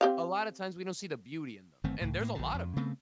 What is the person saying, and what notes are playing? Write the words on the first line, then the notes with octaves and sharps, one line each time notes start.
a lotta times, we don't see the beauty in them, and there's a lot of it.
C4 G4 F5
G1 D#3 A3 C4
C#2 A2
A2 A#3
A#1 A#2 D3
F2
C#3 A3 B3 C4